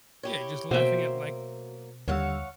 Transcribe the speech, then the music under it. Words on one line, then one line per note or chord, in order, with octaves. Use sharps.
Yeah, your just laughing at like
E4 G4 C#5
B2 F#3 A#3 F#4 C5 E5 G5
D#2 D3 G3 C#5 F5 F#5 E6